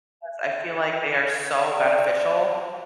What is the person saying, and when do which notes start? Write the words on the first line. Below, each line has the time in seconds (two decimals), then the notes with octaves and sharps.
'cause I feel like they are so beneficial,
1.73 D5